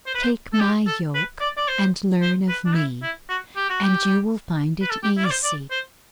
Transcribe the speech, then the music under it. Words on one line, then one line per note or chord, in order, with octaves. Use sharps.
Take My yoke and learn of Me, and you will find it easy.
C5
B4
C5
A4
G4
A4
B4
D5
D5
C5
C5
B4
D4
E4
E4
F#4
G4
F#4
G4
B4
A4
G4
E4
D5
C5
D5
C5